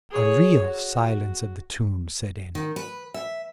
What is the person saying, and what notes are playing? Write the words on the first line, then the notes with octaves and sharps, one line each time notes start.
A real silence of the tomb set in.
G#4 C#5
F#4
D#3
B4
E5